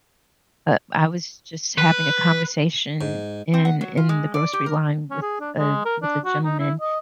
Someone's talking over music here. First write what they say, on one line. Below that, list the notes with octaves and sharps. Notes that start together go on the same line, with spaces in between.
uh, I was just having a conversation in in the grocery line with, uh, with a gentleman,
B4
G#2
C4
F#5
F#3
F4
G#3
D5
G4
A#4
C#4
G#4
D4
G#3
A#4
D4
F#4
D#4
E4
D#5